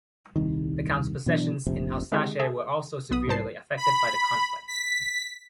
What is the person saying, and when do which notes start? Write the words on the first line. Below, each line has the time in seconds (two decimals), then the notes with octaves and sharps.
The count's possessions in Alsace were also severely affected by the conflict.
0.36 D#1 C2 D#3
1.26 B2 E3 F#3 D4
1.67 F1 A#1 C3
2.12 D3 G#3 C4 E4 G4 G#4
2.39 G#4 A4 E5
3.11 B1 B3 B5 D#6
3.27 C2 G#2 C5 A5 C7
3.77 B5
4.68 B6